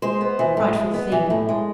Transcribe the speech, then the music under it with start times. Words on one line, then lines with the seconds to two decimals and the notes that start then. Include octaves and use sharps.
Frightful thing!
0.02 G#3 C5
0.21 B3
0.39 E3
0.57 A2
0.75 G#3
0.94 B3
1.12 E3
1.30 A2
1.49 G#3